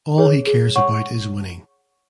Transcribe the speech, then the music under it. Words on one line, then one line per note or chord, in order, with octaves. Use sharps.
All he cares about is winning.
G#4 C#5
G#4
C#5 F#5 C#6